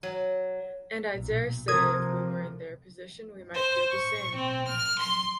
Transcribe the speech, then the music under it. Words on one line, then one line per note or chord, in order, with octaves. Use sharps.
And I daresay if we were in their position we might feel the same!
F#3
B1 A#2
C3 F3 A4 A#4 C5 D#6 G#6
C5
C#6
C4
F6
C6